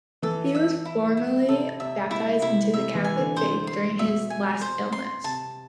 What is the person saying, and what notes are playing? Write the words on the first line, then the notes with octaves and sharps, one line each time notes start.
He was formally baptized into the Catholic faith during his last illness.
E3 A4
E5
E4
E4
C3 A4
C3 E5
G#3 E4
C3 E4
C3 E5
E3
G#5
D3
C3 C5
C6
B2 E5
G#5
C5
C6
C3 A5